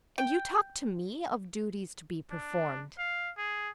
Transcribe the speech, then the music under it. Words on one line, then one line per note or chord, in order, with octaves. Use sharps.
And you talk to me of duties to be performed!
G5
D4
F5
G#4